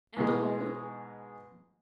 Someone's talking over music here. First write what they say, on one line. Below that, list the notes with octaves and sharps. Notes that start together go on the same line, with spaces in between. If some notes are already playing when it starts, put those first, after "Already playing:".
"And alone?"
G#2 B2 E3 G#3